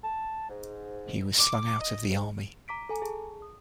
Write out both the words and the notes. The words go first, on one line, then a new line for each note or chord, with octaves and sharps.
He was slung out of the army.
A5
G#2
D6
D#5
G#2
A#5 D6 B6 D7
A4 G#5 A#5
G#4 A5
D#6